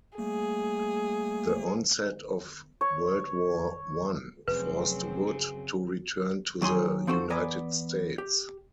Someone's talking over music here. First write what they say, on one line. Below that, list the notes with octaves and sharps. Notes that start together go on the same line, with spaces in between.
The onset of World War One forced Wood to return to the United States.
G3 A3 A#3 G#4
C#5
F1 F#2 F#3 C4 G#4 B4
C#3
D#2 F#3 D#4 G#4 G#5 C6
F3 C4 D#4 F#4 A4 C5
E2 B3 D5 G#5 A#5
G4